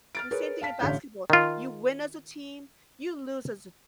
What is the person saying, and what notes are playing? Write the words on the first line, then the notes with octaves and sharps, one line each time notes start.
The same thing in basketball, you win as a team, you lose as a
F6 A6 D7
G#4 A#4 B4 C#5
F5 A5 B6
A1 D3 C#5 F5 G6
D#3 F4